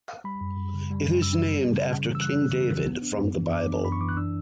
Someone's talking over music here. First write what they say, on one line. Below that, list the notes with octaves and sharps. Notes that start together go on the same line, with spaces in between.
It is named after King David from the Bible.
G3 B5
F#2
F#2
C#3
G3
F#2
F#2 E6
C#3
G3
C#3
C#3
E3
E6
G3 F#6
C#3
C#3
E3
B3
D4
F#2
E3
B3 D6
D4
F#2 B5
C#6
E3 D6
F#6
D4 E6